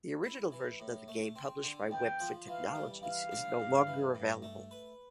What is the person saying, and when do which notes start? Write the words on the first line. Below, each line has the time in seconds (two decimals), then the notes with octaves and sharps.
The original version of the game published by Webfoot Technologies is no longer available.
0.24 E4
0.52 E3
0.80 A2
1.08 A3
1.36 C4
1.64 D3
1.91 E2 G5
2.20 F3
2.48 E3 F5
2.75 G3
3.03 E3 F5
3.31 D4
3.60 G2
3.87 E3
4.15 G2
4.42 A3
4.71 B4